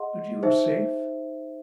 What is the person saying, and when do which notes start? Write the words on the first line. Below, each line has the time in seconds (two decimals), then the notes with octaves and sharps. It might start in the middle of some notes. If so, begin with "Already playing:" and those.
But you are--safe.
Already playing: G#4 D#5 F#5 C6
0.43 D#4 G#4 C5 E5